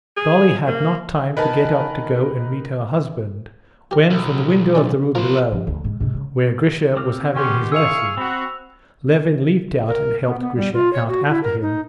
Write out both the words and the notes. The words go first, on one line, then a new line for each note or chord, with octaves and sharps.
Dolly had not time to get up to go and meet her husband, when from the window of the room below, where Grisha was having his lesson, Levin leaped out and helped Grisha out after him.
G#4
A#3
D#3 D#4 A#4 B4 G#5 A5
G4 A#4
B1
E3 D4 A4
F3 A#4 C5
F3
D2
G#2
G#2 C3
C#3
C4 D6 F6
D#3 G#3 B3 C#4 G4 G5 C6
E4 G#4 F5 C#6 E6 F7
C4 F#4 B5
A#4
B3
B3
G3
F4
C#5
F#4
E4
A#4
D#4